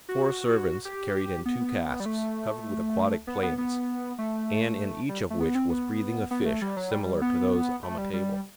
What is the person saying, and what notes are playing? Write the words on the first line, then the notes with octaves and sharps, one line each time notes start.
Four servants carried in two casks covered with aquatic plants, and in each of which was breathing a fish similar to those on the table.
F#4
G4
B3
G3
A3
B3
B3
B3
A3
G3
A3
B3
C4
B3
B3
A3
G3
F#3
G3
B3
A3
G3
G3